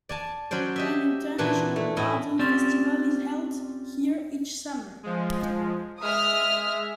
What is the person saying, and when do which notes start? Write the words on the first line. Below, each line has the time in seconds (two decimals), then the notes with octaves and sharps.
An International Garden Festival is held here each summer.
0.09 D5 G#5 A5
0.51 F#3 C#4 C5 D5
0.76 G4 D#5 E5
1.38 A#2 E3 D4 F#4 G#5 A5
1.76 A3
1.97 A2 E4 D#5
2.39 C4 C#4 F4 G4 D5
5.03 F3 G#3
6.01 G#3 E5 D#6 F6